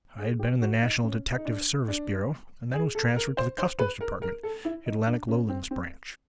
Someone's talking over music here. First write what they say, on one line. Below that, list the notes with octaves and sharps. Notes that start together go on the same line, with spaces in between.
I had been in the National Detective Service Bureau, and then was transferred to the Customs Department, Atlantic Lowlands Branch.
G#4
G4
F#4
D#4
C#4
D#4
D4
D4
G#4
A4
A#4
C5
C5
B4
A#4
A#4
A4
E4
D#4
D4
C#4
C4
C4